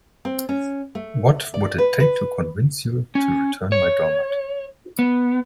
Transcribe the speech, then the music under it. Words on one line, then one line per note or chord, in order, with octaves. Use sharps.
What would it take to convince you to return my doormat?
C4
C#4
A3
D5
B4
B4
C#4
C#5
B3